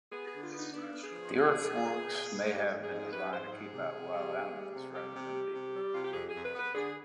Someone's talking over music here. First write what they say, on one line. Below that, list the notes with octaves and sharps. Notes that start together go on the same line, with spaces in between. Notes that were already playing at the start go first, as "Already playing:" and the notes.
The earthworks may have been designed to keep out wild animals rather than people.
B3 G#4
G#4
D3
F4
B3
D#4
B3 D4
B3
G#4
F3
B2
B2
B2
B3
B2
B3
G#2 G4
G#2
G#4
G#2
G#4
G3 B4
G#2 C5
G#2 G#4
C3
C3
G3
B3
G3
C3
G3 G4
C3
G3
C3
G3
C3 F4
G4
F2 G#4
G#4
F2
B4
B3 B4
D3 G#4